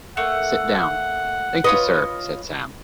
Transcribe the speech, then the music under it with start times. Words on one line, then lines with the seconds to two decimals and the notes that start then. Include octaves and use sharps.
'Sit down.’ ‘Thank’ee, sir,’ said Sam.
0.17 A3 A#3 F#5
1.64 F4 B4 C#5 D#5